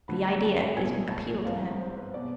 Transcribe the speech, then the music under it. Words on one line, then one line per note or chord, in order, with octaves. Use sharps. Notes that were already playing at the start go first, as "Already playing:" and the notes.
The idea didn't appeal to him.
D2 D3 F3 B5
A5
B1 A2 F3 G#5
A5
G#1 G#2 E3 F5
C5
B4
B2 D5